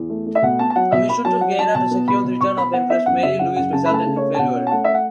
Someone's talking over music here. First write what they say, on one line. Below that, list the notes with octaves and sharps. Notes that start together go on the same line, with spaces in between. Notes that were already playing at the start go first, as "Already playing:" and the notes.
A mission to Vienna to secure the return of Empress Marie-Louise resulted in failure.
Already playing: E2
A3
A3
E5
B2 F#5
B3 A5
A5
F#3 F#5
B2 E5
B3 B5
F#3 A5
F#3 F#5
F#3 A5
B2 A5
B3
B2 B5
B2
B2 C#6
B3 B5
B3 F#5
B3 E5
F#2 F#5
C#3 E5
C#3 F#5
F#2 F#5
C#3 A5
B5
A3 A5
C#3
C#5
C#4
A5
B2 F#5
C#4
A5
A3 F#5
E5
F#5